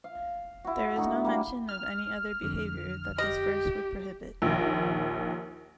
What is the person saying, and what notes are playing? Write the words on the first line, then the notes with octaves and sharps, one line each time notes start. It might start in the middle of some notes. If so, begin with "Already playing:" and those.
There is no mention of any other behavior that this verse would prohibit.
F5
E4 F#4
A2 D3 D#4 F#4
G3 A#3
F6
F2 D3
G4 D#5
A#1 D#2